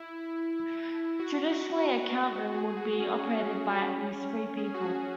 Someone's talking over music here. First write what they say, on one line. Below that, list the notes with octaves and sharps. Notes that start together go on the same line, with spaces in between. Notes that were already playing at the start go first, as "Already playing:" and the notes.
Traditionally, a count room would be operated by at least three people.
Already playing: E4
F#4
G#4
F#4
C#4
G#4
F#4
F#4